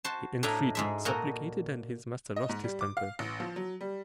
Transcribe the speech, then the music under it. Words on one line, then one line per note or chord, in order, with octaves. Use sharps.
He entreated,--supplicated, and his master lost his temper.
F#4 C5 A5
A2 D4 D#5 E5 A#5
G#2 G#3 E5
A#2 A#3 F#4 A4 D#5 A#5
D#5
G#2
G3
D6
F5
A1
F3
F#3
G3